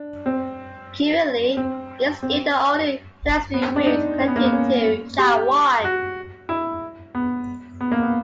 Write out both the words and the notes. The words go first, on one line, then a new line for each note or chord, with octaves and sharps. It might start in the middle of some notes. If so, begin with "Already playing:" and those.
Currently, it is still the only pedestrian route connecting to Chai Wan.
Already playing: D4
C4
C4
C4
B3
C4
D4
D#4
C#4
B3
A#3
B3
C#4
G4
F#4
E4
B3
B3
A#3
B3